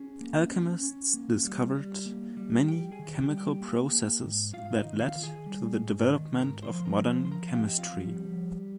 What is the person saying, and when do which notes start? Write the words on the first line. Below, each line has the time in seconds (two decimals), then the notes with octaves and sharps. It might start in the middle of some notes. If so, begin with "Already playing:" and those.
Alchemists discovered many chemical processes that led to the development of modern chemistry.
Already playing: C#4 G#4
0.21 A#3
0.52 C#4
0.83 C#4
1.14 A#3
1.44 G3
1.75 G3
2.06 A#3
2.37 G3
2.68 G3 G4 G5
2.91 G#4 G#5
2.99 D#3
3.14 G4 G5
3.30 G3
3.37 G4 G5
3.61 A#3
3.92 A#3
4.23 G#2
4.53 G#2 F4 F5
4.66 F5
4.76 D#4 D#5
4.85 D#3
5.00 F4 F5
5.16 D#3
5.23 G#4 G#5
5.46 G3
5.77 G#2
6.08 D#3
6.39 G#2 A#4 A#5
6.62 C5 C6
6.70 F3
6.80 C6
6.85 A#4 A#5
7.00 F3
7.08 C5 C6
7.25 C6
7.31 F3 A#4 A#5
7.48 F5
7.55 G4 G5
7.63 C4
7.68 D#5
7.78 F4 F5
7.94 F3
8.01 G3 G4
8.25 F3